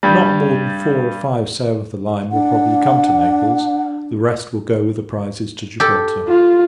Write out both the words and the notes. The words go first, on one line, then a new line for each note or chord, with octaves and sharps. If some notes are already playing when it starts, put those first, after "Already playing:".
Not more than four or five sail of the line will probably come to Naples; the rest will go with the prizes to Gibraltar.
G2 G3
D4 F#5
G4 A4
F4